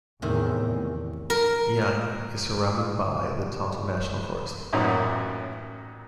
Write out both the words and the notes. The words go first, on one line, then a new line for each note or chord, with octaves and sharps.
Young is surrounded by the Tonto National Forest.
E2 A2 C3 D#3
A#4
A1 F#2 A#2 B3 C#4 D#4